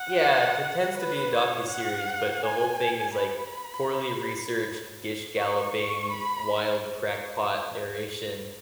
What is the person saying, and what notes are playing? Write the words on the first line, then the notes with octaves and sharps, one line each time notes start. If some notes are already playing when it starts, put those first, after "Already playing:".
yeah, it pretends to be a docuseries, but the whole thing is, like, poorly researched, gish galloping, wild crackpot narration.
Already playing: F#5
B4
C#5
F#5
G#5
B5
C#6
C#6
B5